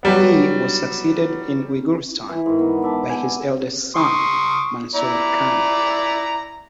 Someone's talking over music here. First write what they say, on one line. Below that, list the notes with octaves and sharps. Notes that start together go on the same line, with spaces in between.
He was succeeded in Uyghurstan by his eldest son Mansur Khan.
F#3 G3 B3
E3 E4
G#2 D#3
B3
D5 E5 A5
G#5
C6 C#6 D#6
E4 D5 A#5